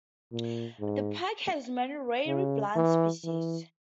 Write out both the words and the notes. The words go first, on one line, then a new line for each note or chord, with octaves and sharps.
The park has many rare plant species.
A#2
G#2
C#3
E3
E3